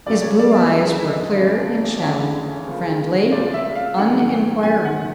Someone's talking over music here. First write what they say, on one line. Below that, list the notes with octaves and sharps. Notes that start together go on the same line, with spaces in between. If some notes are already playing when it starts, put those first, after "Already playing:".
His blue eyes were clear and shallow, friendly, uninquiring.
F2 C#3 F#3 D5
C#5
D5
F5
E5
D#5
F2 C#3 F#3 E5
D#5
F2 C#3 E3 A3 C#4 D5
F2 C#3 E3 A3 C#4 C#5
C#2 C#3 F3 A#3
C#2 C#3 F3 A#3 D5
E5
F5
G#2 D#3 F#3 A#3 C#4 F#5
F#5
G5
G#2 D#3 F#3 A#3 C#4 G#5
F#5